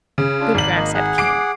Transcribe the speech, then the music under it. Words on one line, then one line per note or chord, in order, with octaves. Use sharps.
Good grass at camp.
C#3
D4 F4
G#1 D5 F#7
A#3 D#5
G#4 F#5
D6 C7 D7